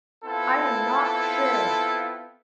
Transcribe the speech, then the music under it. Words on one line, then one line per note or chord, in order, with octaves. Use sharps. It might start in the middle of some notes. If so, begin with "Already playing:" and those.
I am not sure.
B3 C4 E4 F4 A4